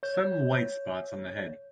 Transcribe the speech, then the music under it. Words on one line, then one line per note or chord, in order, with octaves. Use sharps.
Some white spots on the head.
C#5 G6